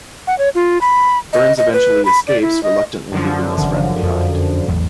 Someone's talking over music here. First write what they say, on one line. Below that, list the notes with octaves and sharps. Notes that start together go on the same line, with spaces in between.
Burns eventually escapes reluctantly leaving his friend behind.
F#5
C#5
F4
B5
D#5
D#5
B4
B5
D5
E4
D#5
F#2 D3 F3
F#1 D#3
F2
A1 E2 F#3